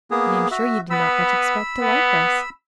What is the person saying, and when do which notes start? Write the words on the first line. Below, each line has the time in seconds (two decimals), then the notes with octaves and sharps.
I am sure you did not much expect to like us.
0.11 A#3 B3 G#4
0.51 F#4 E5
0.90 B3 B5 E6
1.80 B3